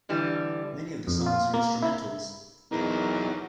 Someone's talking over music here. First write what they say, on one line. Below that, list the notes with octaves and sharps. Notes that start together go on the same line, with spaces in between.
Many of the songs are instrumentals.
D3 E3 G3
F2
F4
A#3
E4
E2 F#3 D#4 A#4